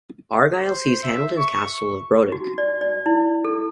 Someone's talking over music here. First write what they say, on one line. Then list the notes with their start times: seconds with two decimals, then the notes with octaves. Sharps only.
Argyll seized Hamilton's castle of Brodick.
0.62 C5
1.03 E5
1.38 C#6
2.32 F#4
2.58 D5
2.81 D5
3.06 E4
3.45 A4